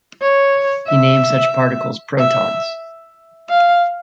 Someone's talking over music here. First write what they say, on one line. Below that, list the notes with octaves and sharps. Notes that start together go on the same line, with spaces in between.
He named such particles protons.
C#5
E5
E5
F5